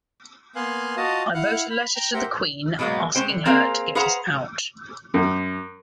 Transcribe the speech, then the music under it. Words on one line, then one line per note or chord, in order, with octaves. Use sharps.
I wrote a letter to the Queen, asking her to get us out.
A#3 B3 F5 G#5 C6 F#6
F4 F#4 D#5 F5 A5 D#6
E4 F5 F#5 F#6
B5
G5 A#5
G4 A#4 C5 E5 F#5 G5
B2 F#3 G#3 A#3 B3
G#3 C4 C#4 C5 G5
D3
A#3 C4 G#4 A#4 C5 F5
G#4 B4 C5 F5 F#5 A#5
F#2